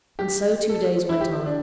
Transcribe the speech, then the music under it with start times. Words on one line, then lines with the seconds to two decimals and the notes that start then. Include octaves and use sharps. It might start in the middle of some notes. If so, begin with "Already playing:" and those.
And so two days went on.
0.19 G4
0.69 A4
1.09 E4
1.21 G4
1.46 D4